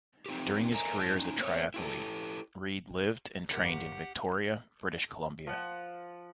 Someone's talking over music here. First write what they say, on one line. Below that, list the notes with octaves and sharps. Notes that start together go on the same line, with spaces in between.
During his career as a triathlete Reid lived and trained in Victoria, British Columbia.
C4 D#4 F4 G4
A4 A#4 D#5 E5 G#5 A#5
G#2 E4 A5
C#4 D#4 F4
A#3 C4 C#5
E4 G4 A4
G1 G4 A#4 F#5
F3 F#5